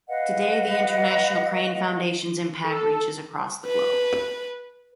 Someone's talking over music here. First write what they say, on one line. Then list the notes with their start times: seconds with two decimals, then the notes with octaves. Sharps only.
Today, the International Crane Foundation's impact reaches across the globe.
0.08 B4 D#5 F5 F#5
2.64 A4
3.66 B4